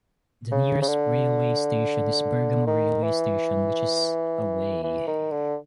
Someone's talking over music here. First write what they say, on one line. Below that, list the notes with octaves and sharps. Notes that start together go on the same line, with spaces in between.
The nearest railway station is Bergamo railway station which is away.
C#3
C#3
D3
D#3
E3
E3
D#3
D3